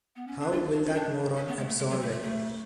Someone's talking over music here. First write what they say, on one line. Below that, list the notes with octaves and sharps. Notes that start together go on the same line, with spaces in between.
How will that moron absolve it?
B3
C#4
D4
F4
D4
C#4
D4
C#4
B3
G#3
A3
G#3
F#3
A3
A3
A3